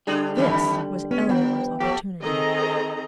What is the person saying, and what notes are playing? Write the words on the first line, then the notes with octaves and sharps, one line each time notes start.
This was Eleanor's opportunity.
D3 G3 D4 G#4
E2 G2 D#3
B3 C#4
F3 B3 B4 G5
F3 A3 G4
D#3 C4 G#4 A4 D#5 A#5